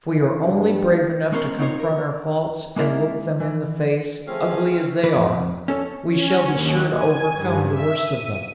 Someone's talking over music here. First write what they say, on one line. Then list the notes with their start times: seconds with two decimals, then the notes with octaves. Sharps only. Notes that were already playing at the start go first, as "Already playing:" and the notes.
If we are only brave enough to confront our faults and look them in the face, ugly as they are, we shall be sure to overcome the worst of them.
0.13 E3
0.45 G2
1.32 G#3 B3 C#4 A#4 C5 F5
1.58 C4 D#4 F4 A#4 C5 C#5
1.80 A#4
2.76 G#3 A#3 E4 A#4 E5 F5
3.40 E3
4.27 F3 A3 C4 C#4 G#4 F5
5.03 E3 B4
5.16 F2
5.68 C#4 A4 C#5
6.09 C#4
6.45 D#2
6.91 G#5
7.32 G2
7.69 E5
8.02 D#7